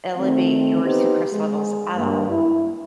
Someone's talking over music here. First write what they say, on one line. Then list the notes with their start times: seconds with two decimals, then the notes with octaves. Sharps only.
elevate your sucrose levels at all.
0.16 D#3 A3 C4
0.83 B3 D#4 G4 B4 C5
1.32 G#3
1.97 G2 A#3
2.29 E4